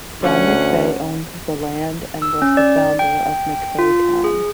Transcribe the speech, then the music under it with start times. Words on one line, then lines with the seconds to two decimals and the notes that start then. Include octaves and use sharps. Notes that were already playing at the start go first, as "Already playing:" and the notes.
John McVey owned the land and was the founder of McVeytown.
0.22 D2 C#4 F#5
2.22 E6
2.42 C#4
2.57 D5
2.99 G5
3.79 F4
4.24 G#4